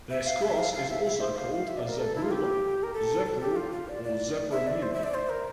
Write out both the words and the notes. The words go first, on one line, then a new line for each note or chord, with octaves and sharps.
This cross is also called a zebrula, zebrule, or zebra mule.
E5
F5
E5
F5
F5
E5
E5
C5
F5
F5
E5
D5
A#4
A4
E4
F4
G4
A#4
A4
A4
G4
F4
F4
D5
D5
E5
D5
C5
E5
D5
C5
A#4